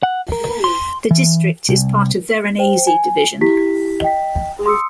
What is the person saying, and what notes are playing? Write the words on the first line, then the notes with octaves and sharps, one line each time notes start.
The district is part of Varanasi Division.
F#5
A#4
C6
E3
C2
C5 G5
G#5
E4 G4 B6
D#5 G5 B6
C6 D#6 E6 C#7